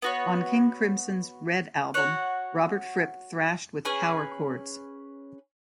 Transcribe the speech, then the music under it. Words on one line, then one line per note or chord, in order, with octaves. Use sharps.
On King Crimson's "Red" album, Robert Fripp thrashed with power chords.
B3 F#4 C#5
F#4 C#5 F#5
C#4 G#4 B4 G#5